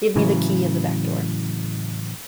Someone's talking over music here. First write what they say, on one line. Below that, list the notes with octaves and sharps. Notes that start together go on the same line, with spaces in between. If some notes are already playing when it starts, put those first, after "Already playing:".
Give me the key of the back door.
A2 C#3 E3 F#3